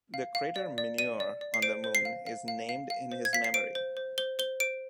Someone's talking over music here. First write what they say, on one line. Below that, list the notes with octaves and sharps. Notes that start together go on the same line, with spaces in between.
The crater Mineur on the Moon is named in his memory.
F5
F5
D5
D5
D5 D#7
D5
D5
C7
C5 D7
C5
C7
F5
F5
F5
F5
F5
C5
G#6
F5 B6
C7
C5 D7
C5
C5
C5 G7
C5 G7
C5 D7